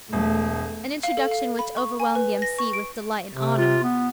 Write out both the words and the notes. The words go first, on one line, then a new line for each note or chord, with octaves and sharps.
An introduction which overwhelmed the M.C. with delight and honour.
E1 A3
F5
A4
F5
B5
C#6
G#5
B4
A#6
C#6
D7
C3
F4
B3